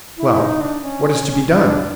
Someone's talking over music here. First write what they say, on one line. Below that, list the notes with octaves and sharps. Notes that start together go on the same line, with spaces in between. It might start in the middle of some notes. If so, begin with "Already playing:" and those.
"Well, what is to be done?"
E4
D#4
D4
C#4
D4